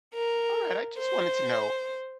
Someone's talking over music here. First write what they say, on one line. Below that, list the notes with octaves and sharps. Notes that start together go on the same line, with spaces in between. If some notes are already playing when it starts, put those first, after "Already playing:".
Alright, I just wanted to know,
A#4
C5